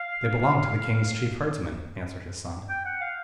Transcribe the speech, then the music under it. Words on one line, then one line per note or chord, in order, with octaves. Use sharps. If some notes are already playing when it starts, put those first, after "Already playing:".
'They belong to the king's chief herdsman,' answered his son.
Already playing: F5
G5
F#5
F5